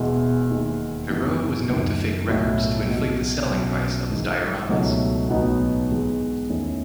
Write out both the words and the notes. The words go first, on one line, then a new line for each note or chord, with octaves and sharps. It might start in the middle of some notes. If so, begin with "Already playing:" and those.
Verreaux was known to fake records to inflate the selling price of his dioramas.
Already playing: E1 E2 B2 G#3
D#2 D#3 G#3
F#2 E3 B3 D#4
F#1 F#2 D#3
B1 A2 F#3 A3 E4
B1 B2 F#3
B1 B2 F#3 C#4
G#1 G#2 E3
C#2 B2 F#3 A3 D#4
B1 A2 F#3 B3 D#4
G#2 E3 G#3 B3
E2 D#3 A3 C#4 E4